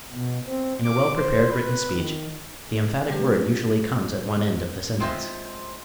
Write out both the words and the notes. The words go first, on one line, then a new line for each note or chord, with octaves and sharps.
In a well-prepared written speech the emphatic word usually comes at one end of the sentence.
B2
C4
D6
C5
B4
D#3
F#3 G3 A3 D4 G4 B4
G#3 C4 F4 C5 D#5 E5